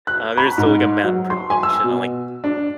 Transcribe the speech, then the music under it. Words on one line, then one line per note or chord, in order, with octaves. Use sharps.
Uh, there's still, like, a map print function on, like,
F#6
B5
G#2
F#3
C6
G#5
E6
B2
D4